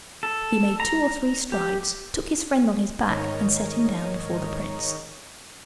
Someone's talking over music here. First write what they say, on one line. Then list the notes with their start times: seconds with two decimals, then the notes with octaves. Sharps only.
He made two or three strides, took his friend on his back, and set him down before the prince.
0.23 A4
0.80 A#5
1.52 G4
3.09 G#2 D#3 D#4 A#4 C#5 D#5